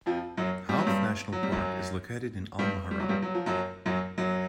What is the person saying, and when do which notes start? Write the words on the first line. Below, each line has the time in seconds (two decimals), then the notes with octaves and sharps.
Hauf National Park is located in Al Mahrah.
0.06 F2 F3
0.37 F#2 F#3
0.69 G3
0.78 F#3
0.87 G2 G3
1.32 F#3
1.43 G3
1.52 F#2 F#3
2.59 G2 G3
2.91 G3
3.00 F#3
3.09 G2 G3
3.22 F#3
3.34 F3
3.46 F#2 F#3
3.86 F#2 F#3
4.18 F#2 F#3